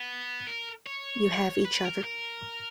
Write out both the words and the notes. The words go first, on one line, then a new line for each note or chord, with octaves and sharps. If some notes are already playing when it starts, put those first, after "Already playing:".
You have each other.
Already playing: B3
A#4
C#5
B4
A#4
A#4